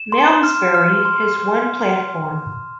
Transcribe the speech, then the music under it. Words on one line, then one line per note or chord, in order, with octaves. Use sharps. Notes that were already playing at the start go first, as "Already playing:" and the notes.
Malmsbury has one platform.
Already playing: E7
C6
F6
F6
C6
F6